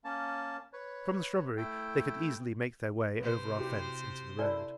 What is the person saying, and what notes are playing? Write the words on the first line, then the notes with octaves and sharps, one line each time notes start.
From the shrubbery, they could easily make their way, over our fence into the road.
A#3 C#4 A5
B4 C#5
A3 E4 G5
C3 B4 C5
E4 F#4 G4
E4 A4 D5 G#5